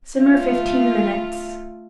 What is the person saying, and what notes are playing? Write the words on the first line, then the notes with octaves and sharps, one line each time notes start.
Simmer fifteen minutes.
A3 F4